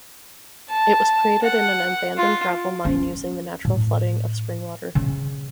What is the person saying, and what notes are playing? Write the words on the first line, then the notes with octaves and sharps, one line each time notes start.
It was created in an abandoned gravel mine using the natural flooding of springwater.
A5
F#5
F4
C#4
A2
C#3